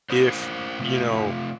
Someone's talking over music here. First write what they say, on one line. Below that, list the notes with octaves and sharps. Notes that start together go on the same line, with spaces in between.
if, you know,
C#4 A#4 C5
C3 A3 F4